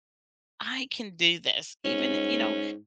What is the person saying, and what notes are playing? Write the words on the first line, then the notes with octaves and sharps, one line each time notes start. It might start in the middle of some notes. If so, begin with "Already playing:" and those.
I can do this, even" you know,
G#2 C#4